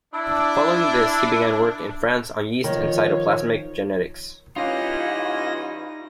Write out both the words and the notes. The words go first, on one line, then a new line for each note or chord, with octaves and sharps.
Following this he began work in France on yeast and cytoplasmic genetics.
D4 E4
D#3 F3 C#5
E3 G3 C#4 D#4 F4 B4 D#5 A#6